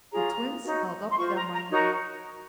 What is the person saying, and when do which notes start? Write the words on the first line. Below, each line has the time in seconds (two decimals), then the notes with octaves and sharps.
The Twins held up their money.
0.11 F4 G#4 C#5 A#5
0.64 D#4 F#4 C#5
1.11 C6
1.17 F4 C5 C#6
1.35 A#5
1.52 A#5
1.70 D#4 F#4 A#4 C#5 A#5